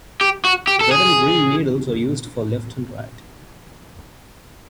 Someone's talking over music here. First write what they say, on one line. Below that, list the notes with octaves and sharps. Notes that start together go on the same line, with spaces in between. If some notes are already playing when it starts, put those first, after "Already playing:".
Red and green needles are used for left and right.
G4
F#4
G4
A4
G#4